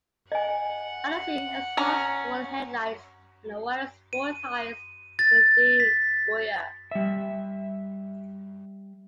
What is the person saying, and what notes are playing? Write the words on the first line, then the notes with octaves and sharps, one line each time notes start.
Under-seat exhausts, dual headlights and the widest sport tyres were de-rigueur.
D#5 F#5 G#5
C#4 A#5
D#7
A6
B6
G3 E5